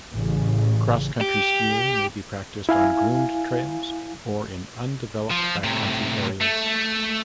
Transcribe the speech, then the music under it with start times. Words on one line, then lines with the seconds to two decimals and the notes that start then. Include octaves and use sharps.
Cross-country skiing may be practiced on groomed trails or in undeveloped backcountry areas.
0.13 A1 C#3
1.21 G4
2.69 E4 F5 G#5
5.31 F3
5.64 A2 C3
6.41 A3